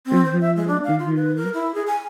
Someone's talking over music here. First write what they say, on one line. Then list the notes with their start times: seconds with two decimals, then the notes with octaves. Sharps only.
Mhm. Mhm.
0.06 C4
0.25 C5
0.41 E5
0.56 G#3
0.68 D4
0.84 F5
0.99 F4
1.15 B4
1.36 A#4
1.54 E4
1.74 G#4
1.87 G#5